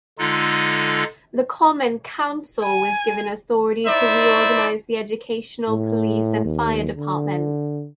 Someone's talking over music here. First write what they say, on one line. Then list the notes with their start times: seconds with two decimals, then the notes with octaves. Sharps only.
The common council was given authority to reorganize the educational, police, and fire departments.
0.19 D3 G#3 D#4 F4 A4
2.63 G#5
3.86 D#4 E4 C5 D5 E5
5.68 A2
6.45 D#2
6.97 D3